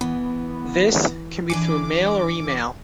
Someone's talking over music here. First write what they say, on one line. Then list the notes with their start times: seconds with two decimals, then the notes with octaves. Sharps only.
This can be through mail or email.
0.01 E3 B3
1.50 E3 D4 G#5 D6